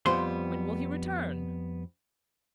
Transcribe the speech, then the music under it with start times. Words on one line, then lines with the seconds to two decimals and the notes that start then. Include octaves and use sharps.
"When will he return?"
0.06 F2 G3 B3 C5 C6